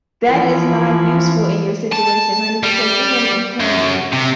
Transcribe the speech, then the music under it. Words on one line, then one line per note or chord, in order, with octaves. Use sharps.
That is not useful in your situation, honey, because you're gonna be hungry.
E3 F3 E4
A5
G3
F#2
C3